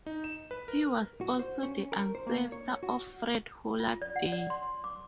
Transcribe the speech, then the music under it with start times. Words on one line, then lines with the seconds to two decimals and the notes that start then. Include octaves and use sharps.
He was also the ancestor of Fred Holland Day.
0.06 D#4
0.24 E7
0.51 B4
0.68 A#4
1.21 F#4
1.39 C5
1.63 C#4
1.92 A#4
2.15 C5
2.27 A#3
2.52 C#5
2.83 F#4
3.80 F4
4.02 D5
4.16 F#5
4.32 D5
4.50 C6
4.84 D6